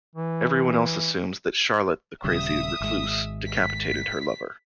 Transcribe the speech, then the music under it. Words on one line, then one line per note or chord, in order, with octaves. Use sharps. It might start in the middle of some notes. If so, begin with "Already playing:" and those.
Everyone else assumes that Charlotte, the crazy recluse, decapitated her lover.
E3
D#1 C#3 G3 E5 D#6
G#1 G#3
B6